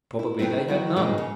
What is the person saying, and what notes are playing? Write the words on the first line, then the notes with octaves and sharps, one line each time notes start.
Probably they had none.
E4
D#3 A3 B3 C4 E4
D#3 F#3 E4
G2 A#2 D#3 F3 G#3
C#3